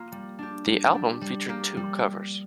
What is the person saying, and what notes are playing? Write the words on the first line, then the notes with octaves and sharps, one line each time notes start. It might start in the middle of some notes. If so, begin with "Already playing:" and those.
The album featured two covers.
Already playing: A#3 F4
G3
D4 G4
G3
D4 G4
G3
A#3 G4
G3